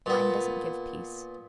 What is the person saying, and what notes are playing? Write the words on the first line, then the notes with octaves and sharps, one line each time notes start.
Wine doesn't give peace.
A#2 B3